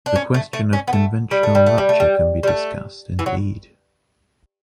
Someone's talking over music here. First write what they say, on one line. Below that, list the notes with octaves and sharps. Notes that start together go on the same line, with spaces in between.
The question of conventional rupture can be discussed, indeed.
D4
C#4
A3
A3
C#4
B3
A3
G3
A3
G3
A3
G3
A3
G3
G3
A3
E3
F#3